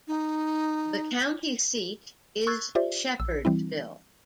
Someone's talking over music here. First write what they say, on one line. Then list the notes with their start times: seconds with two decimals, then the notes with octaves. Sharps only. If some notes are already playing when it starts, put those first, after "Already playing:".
The county seat is Shepherdsville.
0.08 D#4
2.47 C#6 E6 F#6 G#6 A6
2.75 F4 G4 C5 D5 E5
3.20 A#1 E6
3.45 E3 G3 C4 E4